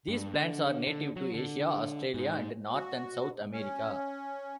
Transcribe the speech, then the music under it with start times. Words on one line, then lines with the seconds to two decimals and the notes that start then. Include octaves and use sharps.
These plants are native to Asia, Australasia and North and South America.
0.08 G2
0.34 D3
0.87 D3
1.16 F#3
1.34 D3
2.14 G#2
2.74 F#4
3.53 C#4